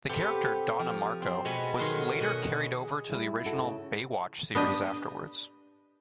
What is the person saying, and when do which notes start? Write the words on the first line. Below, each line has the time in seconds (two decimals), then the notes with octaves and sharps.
The character Donna Marco was later carried over to the original "Baywatch" series afterwards.
0.09 C3 B3 G4 A4
0.79 F3
1.22 C4
1.45 B2 G#3 B3 G#5 B5
1.79 B2 D#3 F#3 A4 C6
2.20 B2 D#5 F#5 G#5
2.82 G#4
3.10 G3 E4
3.44 D#4 F#4 A4
3.64 C#3
4.55 B3 D4 G4 D#5